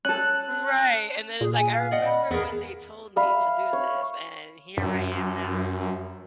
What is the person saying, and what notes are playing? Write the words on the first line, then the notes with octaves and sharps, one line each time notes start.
Right, and then it's like, "I remember when they told me to do this, and here I am now"
C#4 A4 F#6
A#2 G#4
G#5
F5
D5 D#5 F#5
B5
E2 B3 G#4 A#4
E5 F5 B5
C#5
F#2